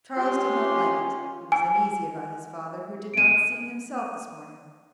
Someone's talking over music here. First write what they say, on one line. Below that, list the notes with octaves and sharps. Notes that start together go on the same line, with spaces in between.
Charles did not like it; he was uneasy about his father, who did not seem himself this morning.
G#3 C#4 F4 G4 C6
G#5
D7 D#7